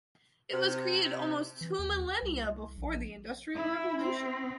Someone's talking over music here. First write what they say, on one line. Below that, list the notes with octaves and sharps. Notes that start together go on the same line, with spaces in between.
It was created almost two millennia before the industrial revolution.
C3 C5
E3
D#2
C2
A#1
E4
C4